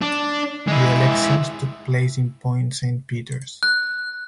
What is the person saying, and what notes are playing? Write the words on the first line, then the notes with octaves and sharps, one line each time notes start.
The elections took place in Point Saint Peters.
D4
G#3 E4
F#6